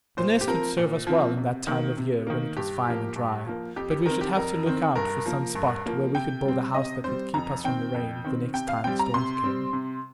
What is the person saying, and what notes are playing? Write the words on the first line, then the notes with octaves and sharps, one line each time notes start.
The Nest would serve us well in that time of year when it was fine and dry, but we should have to look out for some spot where we could build a house that would keep us from the rain the next time the storms came.
A#2 C5
G4
F3 C4 A#4
A#2
F3 C4
C3
D#3 A#3
C3
D#3 A#3
G2 G4
F3 A#3
G2
F3 A#3
F2 G4
G4
D#3 C4 A#4
G4
F2 A#4
D#3 C4
G2 A#4
F3 A#3
G2
F3 A#3
C3 G5
G3 C4
C3 D#5
G3 C4 C5
F2 A#5
D#3 C4 G5
F2
D#3 C4
C3 G5
F5
G3 C4 G5
A#5
C3 C6
G3 C4
C3